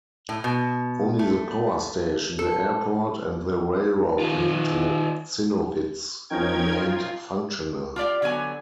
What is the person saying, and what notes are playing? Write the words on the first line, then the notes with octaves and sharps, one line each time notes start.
Only the power station, the airport, and the railroad link to Zinnowitz remained functional.
A2
B2
A3
A4
D#3 F4
F3 C#4 D#4 A#4 G5 G#6
F4
F4 G4 D5 F5
D3 F#3 B3 G#5